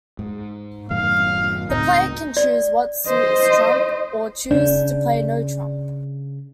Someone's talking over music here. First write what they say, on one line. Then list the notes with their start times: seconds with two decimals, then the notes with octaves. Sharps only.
The player can choose what suit is trump, or choose to play No Trump.
0.19 G#2
0.90 F#2 A2 D#3 F5
1.70 C#2 A2 C4 D#4
2.37 D5
3.07 C5 D#5
4.51 C#3 D4 D5